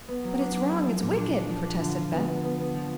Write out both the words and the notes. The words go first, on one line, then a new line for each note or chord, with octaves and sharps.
"But it's wrong--it's wicked!" protested Beth.
B3
F#3
D4
D4
G#4
F3
A#2
D4
D4
F3
D4
D3
F4
B3
B3
B3
B3
F3